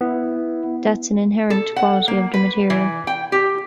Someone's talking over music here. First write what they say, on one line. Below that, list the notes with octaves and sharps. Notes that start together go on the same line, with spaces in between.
That's an inherent quality of the material.
B3 E4
A4
F#5
A#3
B4
E3
G5
G4